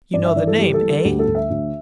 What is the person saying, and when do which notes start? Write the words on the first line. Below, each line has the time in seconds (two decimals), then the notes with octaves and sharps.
"You know the name, eh?"
0.13 G2 D5
0.25 E5
0.36 E3 D5
0.47 A4
0.59 G3 G4
0.74 A4
0.82 G3
0.89 A4
1.04 D2 G4
1.19 A4
1.28 D2
1.35 E5
1.50 D2